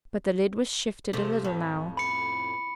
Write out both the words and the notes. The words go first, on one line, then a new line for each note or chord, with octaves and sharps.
But the lid was shifted a little now.
C3 F3 A3
F2 A2
B5 C#7